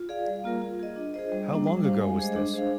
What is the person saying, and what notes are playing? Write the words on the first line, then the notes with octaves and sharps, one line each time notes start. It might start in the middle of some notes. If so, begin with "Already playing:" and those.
How long ago was this?
Already playing: F4
G#4 D5 F5
G3
A#3 F4 A#4
F4
G#4 D#5
D4
G#4 C5 D#5
G3
A#3 D4
G3
D4 G4 C5 F5
G#3
D4 G#4 C5 D#5
D4
G#4 C5 F5